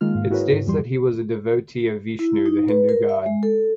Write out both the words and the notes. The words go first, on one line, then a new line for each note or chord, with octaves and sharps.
It states that he was a devotee of Vishnu, the Hindu god.
D#3 G#3 A#3 F4 F6
G#2 F5
E4 F#4 G#4 A#4 B4 C#5
G#2
F2 E3 G3 G4 C6
E4
D#4
B4
A#4
E5
G#3
A4